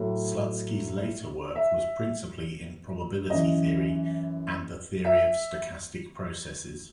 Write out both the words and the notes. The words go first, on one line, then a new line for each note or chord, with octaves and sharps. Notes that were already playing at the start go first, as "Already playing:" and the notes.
Slutsky's later work was principally in probability theory and the theory of stochastic processes.
Already playing: A2 F#3
E5
F#2 E3 D#5
E5